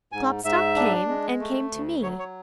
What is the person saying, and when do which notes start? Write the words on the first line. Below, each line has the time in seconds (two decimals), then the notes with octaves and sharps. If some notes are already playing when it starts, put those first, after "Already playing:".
Klopstock came, and came to me.
0.12 G#2 G#5
0.44 G#2 E5
0.76 D4
1.08 G#3
1.40 A3
1.71 D2
2.03 F#3 C#5
2.19 C#5